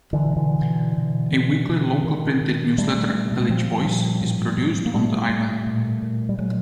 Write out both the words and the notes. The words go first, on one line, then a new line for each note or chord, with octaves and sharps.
A weekly local printed newsletter, "Village Voice", is produced on the island.
D3 E3
B2
D3 E3
B2
B2
B2
B2
B2 D#3
B2
A#2 G3 A3
A#2
A3
G#3
A#2 F3 G3
A#2
A2
A2
A#3
A2 G3 A3
A2
A#2
A#2
G3
A#2 F#3 G#3